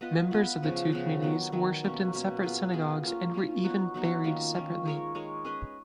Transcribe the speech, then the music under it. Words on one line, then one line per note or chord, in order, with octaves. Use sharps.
Members of the two communities worshiped in separate synagogues and were even buried separately.
B3 F4 B4 D#5
B3 F4 B4 D#5
C#3 F3 B3
C#3 F3 B3
D#3 F#3 B3
D#3 F#3 B3
B2 A#3 C#4
B2 A#3 C#4
B3 F4 G#4
B3 F4 G#4
A#3 C#4 F4
A#3 C#4 F4
F#3 B3 D#4 F#4
F#3 B3 D#4 F#4
D#3 A#3 C#4 F4
D#3 A#3 C#4 F4
G#3 D#4 A#4 C#5
G#3 D#4 A#4 C#5
C#4 G#4 B4 D#5